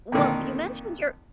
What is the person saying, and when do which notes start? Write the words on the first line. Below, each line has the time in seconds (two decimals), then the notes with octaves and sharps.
Well, you mentioned your
0.12 F2 A#2 D3 D#3 D#4